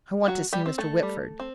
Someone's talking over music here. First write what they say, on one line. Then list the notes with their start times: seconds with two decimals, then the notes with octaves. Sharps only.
"I want to see Mr. Whitford."
0.28 F#3 F#4
0.53 G3 G4
0.66 C4
0.78 A3 A4
1.03 G3
1.40 C4